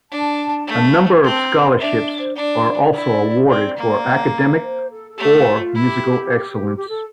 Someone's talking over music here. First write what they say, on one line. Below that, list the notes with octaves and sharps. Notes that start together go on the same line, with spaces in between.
A number of scholarships are also awarded for academic or musical excellence.
D4 A5
A3
C4 A5
A#5
C6
D4 E5
E5
C5
D4 D5
E4
C4
A#3
C5
A4
A4
A3 G4
F4
E4
G4
F4
E4 G4
G4
A4